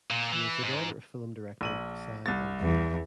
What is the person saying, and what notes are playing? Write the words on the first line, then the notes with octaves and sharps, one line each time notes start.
She is the daughter of film director Cy Endfield.
A#2
E3
G#2
A#1 D#7 F#7
C2 A6
E2